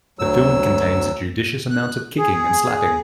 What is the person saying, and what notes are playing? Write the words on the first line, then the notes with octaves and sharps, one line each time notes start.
The film contains a judicious amount of kicking and slapping.
D2 F#3 E6
F#6
G#4